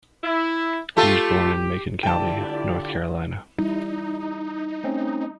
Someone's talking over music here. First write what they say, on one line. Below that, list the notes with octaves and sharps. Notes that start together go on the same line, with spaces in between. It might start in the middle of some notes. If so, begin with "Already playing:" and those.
He was born in Macon County, North Carolina.
E4
A3 F4 G4 A4
D3 E4 F4 G4 D5 G5 A5
G3 D#4 E4
A3 C4 C#4